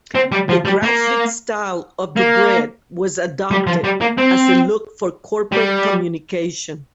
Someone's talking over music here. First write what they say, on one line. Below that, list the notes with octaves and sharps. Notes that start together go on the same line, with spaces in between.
The graphic style of the grid was adopted as a look for corporate communication.
C4
G3
F3
G3
A#3
A#3
G3
F3
G3
A#3
C4
G3